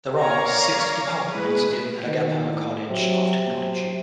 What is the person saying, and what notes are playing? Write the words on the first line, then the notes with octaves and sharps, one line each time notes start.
There are Six departments in Alagappa College of Technology.
A#4 C#5 D5 F5 A#5
G#3 E4 G#4 B4
D#3
A2
C3 F#3
F#3